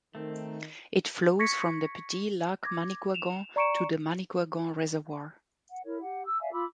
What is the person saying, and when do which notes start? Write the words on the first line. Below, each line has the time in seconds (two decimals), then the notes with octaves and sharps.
It flows from the Petit lac Manicouagan to the Manicouagan Reservoir.
0.15 D#3 A3 C4
1.39 C#6 G#6 A#6 B6 C#7
2.64 D6 G#6 A#6
3.14 E7 F7
3.56 D5 A#5 C#6 C#7 D7 E7
5.70 F#5
5.84 E4 A#4 C#5
6.00 G4 F#5
6.26 E6
6.41 D5 E5 F5 G#5
6.52 F4 B5 D6 E6